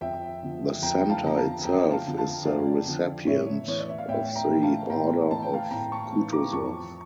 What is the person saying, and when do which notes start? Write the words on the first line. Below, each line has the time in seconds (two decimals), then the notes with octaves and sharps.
The Center itself is the recipient of the Order of Kutuzov.
0.01 F2 E5 G5
0.42 D3 F3
0.82 F2 G5 A#5
1.09 F5 A5
1.23 D3 F3 A#5
1.37 F5 A5
1.63 F2 G5 A#5
1.91 F5 A5
2.05 D3 F3
2.18 F5 A5
2.45 F2 D5 F5
2.87 D3 F3
3.27 A2 C#5 E5
3.68 E3 C#5
3.78 D5
3.89 E5
3.98 F5
4.08 A2 E5 G5
4.35 G5 A#5
4.49 E3
4.63 F5 A5
4.90 A2 G5 A#5
5.31 E3 A5
5.42 G5
5.54 F5 A5
5.71 A2 G5 A#5
5.92 A5 C#6
6.13 E3
6.32 A#5 D6
6.53 F2 A5 C#6